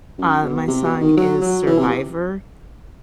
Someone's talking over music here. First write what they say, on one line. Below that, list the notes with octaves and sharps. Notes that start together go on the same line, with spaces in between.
Uh, my song is Survivor,
F#2
B2
C3
B2
D#3
F#3
F#3
E3
C3